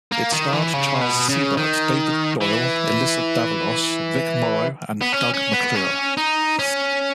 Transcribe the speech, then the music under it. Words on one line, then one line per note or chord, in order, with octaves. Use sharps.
It starred Charles Siebert, David Doyle, Elyssa Davalos, Vic Morrow, and Doug McClure.
A#3
D#3
E3
C#3
B2
C#3
D#3
E3
B3
C#4
C#4
B3
C#4
D#4
C#4